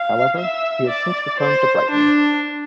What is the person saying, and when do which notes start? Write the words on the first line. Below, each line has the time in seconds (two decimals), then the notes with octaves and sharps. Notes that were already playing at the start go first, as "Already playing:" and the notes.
However, he has since returned to Brighton.
Already playing: F5
0.38 E5
0.88 D5
1.39 C5
1.90 D4